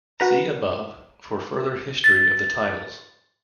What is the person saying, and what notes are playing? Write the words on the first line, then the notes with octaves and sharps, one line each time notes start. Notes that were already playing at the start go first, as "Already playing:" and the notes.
See above for further history of the titles.
F#4 B4 A#5
A6